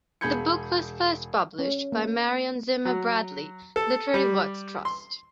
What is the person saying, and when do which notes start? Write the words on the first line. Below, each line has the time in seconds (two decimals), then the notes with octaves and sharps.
The book was first published by Marion Zimmer Bradley Literary Works Trust.
0.21 E1 G#4 B5 G6 G#6 C#7
1.59 C#4
1.92 A#3
2.85 F#3
3.76 A4
4.14 G3
4.85 C6